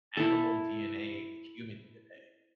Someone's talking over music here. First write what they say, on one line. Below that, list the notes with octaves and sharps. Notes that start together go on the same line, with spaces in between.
animal DNA with human DNA, and
E4 A4